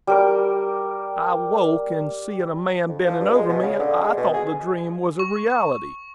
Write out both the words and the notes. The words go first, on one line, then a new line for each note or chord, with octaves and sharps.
"I woke, and seeing a man bending over me, I thought the dream was a reality."
G3 A#4 D6
F2
F3
G2
G#3
B2
C#3
D3
G#3
B2
G#4
C#6